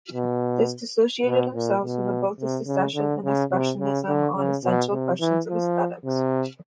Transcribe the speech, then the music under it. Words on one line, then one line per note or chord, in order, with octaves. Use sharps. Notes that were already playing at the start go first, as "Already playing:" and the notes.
They disassociated themselves from both the Secession and Expressionism on essential questions of aesthetics.
B2
B2
A#2
B2
C3
C#3
D3
C#3
C3
C#3
D3
C#3
B2
C3
E3
F3
C3